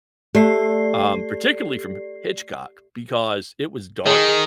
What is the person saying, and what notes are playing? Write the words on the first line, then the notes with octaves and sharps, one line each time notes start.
um, particularly from M Hitchcock because it was dark,
A3 G4 D5 C7
D#3 G#4